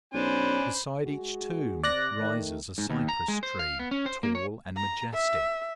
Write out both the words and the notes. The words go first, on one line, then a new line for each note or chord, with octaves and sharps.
Beside each tomb rises a cypress tree, tall and majestic.
B1 C#4 D4 C5 G#5 B5
G#3 F#4 G#4
C3 D5 F#6 A#6
D#3 A3
G#2
D#2
A#5
G#3
C5
F5
B3
C#4
C5
A#3
C#5
A#5
E5